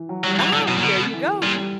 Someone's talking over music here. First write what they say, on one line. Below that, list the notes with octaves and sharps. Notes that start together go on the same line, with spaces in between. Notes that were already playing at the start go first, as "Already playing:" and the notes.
Ah, there you go!
Already playing: E3
F#3
F#3 G3
E3 F#3
D3 E3
B2 F#3
A#2
B2 D3
E3
A#2 G3
G3